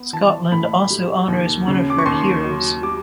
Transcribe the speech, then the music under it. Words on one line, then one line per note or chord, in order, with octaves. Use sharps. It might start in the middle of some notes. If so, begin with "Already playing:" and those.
Scotland also honours one of her heroes.
Already playing: B3
E3 A5
A2 B5
G3
D#2
C#3
D6
C#6
D#2 C6
F#3
G3 D6